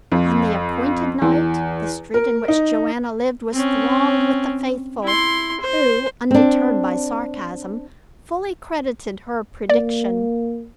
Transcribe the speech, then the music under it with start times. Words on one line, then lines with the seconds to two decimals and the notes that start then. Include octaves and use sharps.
On the appointed night, the street in which Joanna lived was thronged with the faithful, who, undeterred by sarcasm, fully credited her prediction.
0.12 F2
1.22 E2
2.14 A#4
2.48 D#4
3.53 C4 C#4
5.03 E4 C6
5.60 C5
6.31 C4 D4
9.70 A#3 D5